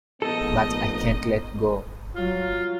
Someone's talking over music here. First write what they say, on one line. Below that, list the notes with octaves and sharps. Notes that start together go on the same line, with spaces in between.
But I can't let go.
A#1 G#3 A3 B3 D#4 A4 D#5
F#3 F4